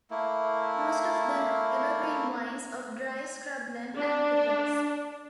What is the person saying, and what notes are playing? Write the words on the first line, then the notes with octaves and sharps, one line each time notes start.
Most of them evergreen vines of dry scrubland and thickets.
A3 A#3 E4
D4